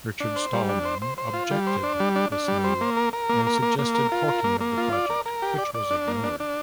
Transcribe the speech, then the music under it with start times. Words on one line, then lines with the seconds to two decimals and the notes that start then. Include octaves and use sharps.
Richard Stallman objected this move and suggested forking of the project, which was ignored.
0.20 D4
0.36 C5
0.53 G3
0.69 D4
0.85 C5
1.02 C5
1.18 C5
1.34 F4
1.51 G3
1.67 C5
1.83 D4
2.00 G3
2.16 D4
2.32 D4
2.48 G3
2.64 C5
2.81 A#3
2.97 A#4
3.13 A#4
3.29 A#3
3.47 A#4
3.63 A#3
3.79 A#3
3.95 A#4
4.12 F4
4.28 A#4
4.44 A#3
4.61 A#3
4.77 F4
4.92 D5
5.10 A#4
5.26 A#4
5.42 G4
5.58 D5
5.75 D5
5.91 D4
6.08 A#3
6.24 D4
6.40 D4